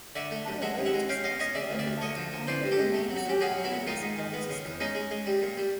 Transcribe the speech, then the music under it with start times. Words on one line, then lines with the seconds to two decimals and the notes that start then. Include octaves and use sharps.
However it is possible that only the names of attendees were registered.
0.15 D3 D5 E5
0.31 A3
0.47 F#2
0.62 G#3 E5 F#5
0.78 D#2
0.86 E5 F#5
0.94 G#3
1.09 C#4 F5 G5
1.24 C#4 D#5 F5
1.39 C#4 C#5 D#5
1.55 C#3 D5 E5
1.70 D2
1.79 D5 E5
1.86 D2
2.01 D3 C#5 D#5
2.16 F3
2.33 D3
2.47 E3 C5 D5
2.63 G2
2.71 G4 A4
2.79 G#3
2.94 A3
3.10 F#3
3.16 F#4
3.26 F#3 G4
3.41 C#4 F#4 G#4
3.57 F#3
3.64 E4 F#4
3.72 A#2
3.87 D#3 D#4 F4
4.02 G#2
4.18 D#3
4.33 B3
4.49 C#3
4.65 E2
4.80 G#3 C#4 D#4
4.95 G#3
5.11 G#3
5.26 G3
5.42 A#2
5.57 G3